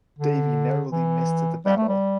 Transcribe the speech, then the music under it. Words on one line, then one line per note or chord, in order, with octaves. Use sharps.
Davie narrowly missed the battle.
D3
E3
G3
A3
G3